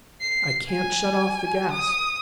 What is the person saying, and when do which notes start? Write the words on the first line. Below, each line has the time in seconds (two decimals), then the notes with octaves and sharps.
I can't shut off the gas!
0.21 C7
0.71 G#5
1.71 D#6